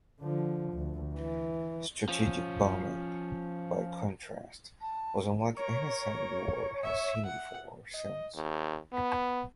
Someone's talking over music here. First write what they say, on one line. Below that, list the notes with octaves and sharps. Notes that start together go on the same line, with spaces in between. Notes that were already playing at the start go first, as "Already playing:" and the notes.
Strategic bombing, by contrast, was unlike anything the world has seen before or since.
D3 F3
D2
E3
F3 C#4
A5
A#4 C#5
E5
F#5
D#5
D#2
B3